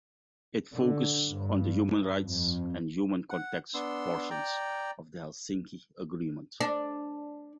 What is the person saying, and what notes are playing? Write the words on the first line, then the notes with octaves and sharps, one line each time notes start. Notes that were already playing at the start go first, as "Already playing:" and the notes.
It focused on the human rights and human contacts portions of the Helsinki Agreement.
D3
G2
F2
F#5
B3 D4 C6 E6
D5 G5 A#5
D4